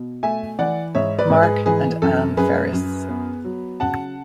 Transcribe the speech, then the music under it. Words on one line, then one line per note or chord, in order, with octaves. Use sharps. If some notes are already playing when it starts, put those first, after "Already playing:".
Mark and Anne Ferris.
Already playing: B2
A3 E5 G#5
E3 D5 F#5
G#2 C#5 E5
B4 D5
G#2
G#4 B4
E3 G#4 B4
F#2 A4
F#2 G#4 B4
F#2
B3
F#3
C#3 F#5 A5